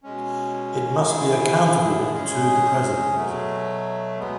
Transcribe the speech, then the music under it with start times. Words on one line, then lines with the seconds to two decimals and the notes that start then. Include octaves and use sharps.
It must be accountable to the President.
0.03 B2 G#3 C#4
1.08 D3 A3 E4 G#4
2.11 G#3 C#4 G#4
3.15 B2 F#3 A3
4.19 B2 G#3 B3